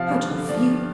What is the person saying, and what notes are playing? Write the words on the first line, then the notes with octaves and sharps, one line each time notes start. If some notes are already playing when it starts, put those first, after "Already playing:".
How do you feel?
Already playing: C3 F3 F5
G2
D3
F3 D5